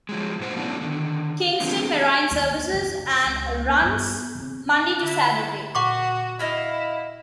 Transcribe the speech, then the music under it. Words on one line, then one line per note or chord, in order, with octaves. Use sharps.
Kingston Marine Services and runs Monday to Saturday.
F3 F#3 G#3
G#2 B2 A3 C5 F#5
F#3 A3 B3 C#4 D4 E4
D3 D#3
E3 F#3 A3 B3 C4 D4
D#2
A#3
F#2 C#3
C#2
G2 B3
C#3 C4
D3 E4
A#2 F#4 F#5 C#6 D6
E4 D#5 F5 B5 G#6